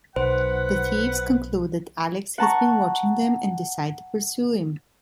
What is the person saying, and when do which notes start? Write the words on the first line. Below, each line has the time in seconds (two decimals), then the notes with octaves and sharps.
The thieves conclude that Alex has been watching them and decide to pursue him.
0.16 B1 B4 C5 F#5
2.38 F#5 A5 A#5 C#6